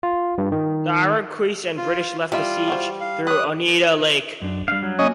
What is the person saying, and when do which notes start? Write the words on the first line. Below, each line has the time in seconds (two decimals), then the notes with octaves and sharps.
The Iroquois and British left the siege through Oneida Lake.
0.03 F4
0.38 G2
0.52 D#3
1.77 F4
2.32 G3 E4 F4 E5
2.68 E3 F#4 C5
3.01 F5
3.27 B4 C#5 D#6 F#6
4.42 F#2 D4
4.68 G3 D4 F5
4.83 F#3
4.99 A#3 C#4 D#5 G#5